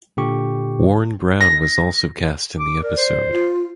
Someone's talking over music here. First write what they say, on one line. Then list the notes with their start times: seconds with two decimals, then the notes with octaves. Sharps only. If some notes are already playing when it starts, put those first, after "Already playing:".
Warren Brown was also cast in the episode.
0.17 A#2 D3 G4 C#6
1.41 A#6
2.59 D6
2.83 A#4 D5
2.97 C5
3.32 F4